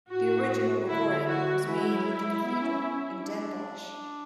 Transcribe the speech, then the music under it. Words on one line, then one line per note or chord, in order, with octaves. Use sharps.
The original recording was made at the cathedral in Den Bosch.
A2 F#4
D3 E4
F#4
E3 E4
G#3
F#3
G#3
B3
C#4
C#4
D4